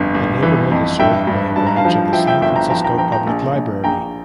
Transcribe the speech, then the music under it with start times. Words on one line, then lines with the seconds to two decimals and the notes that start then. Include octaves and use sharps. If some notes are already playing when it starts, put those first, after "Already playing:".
The neighborhood is served by a branch of the San Francisco Public Library.
Already playing: G1 F2
0.15 G1
0.43 E3
0.71 F2
1.00 G2 E5 G5
1.27 G2
1.56 G2 A5
1.67 A#5
1.76 F5 A5
1.85 F3
2.13 F3 E5 G5
2.27 E5 G5
2.41 G1 E5 G5
2.56 G5 A#5
2.70 F3 G5 A#5
2.84 G5 A#5
2.98 F3 G5 A#5
3.12 G5 A#5
3.27 A#1
3.55 A#1
3.84 A#1 G5 A#5